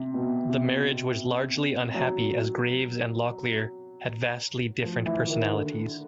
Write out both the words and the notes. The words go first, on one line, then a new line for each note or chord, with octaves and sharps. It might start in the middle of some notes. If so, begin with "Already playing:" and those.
The marriage was largely unhappy as Graves and Locklear had vastly different personalities.
Already playing: C3
B2
C3
F#3
F3
E3
E3
D#3
D3